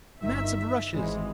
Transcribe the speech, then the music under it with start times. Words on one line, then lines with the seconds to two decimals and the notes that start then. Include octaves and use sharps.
Mats of rushes.
0.22 G1 G2 D#3 E5
0.93 G#1 G#2 E3 G#3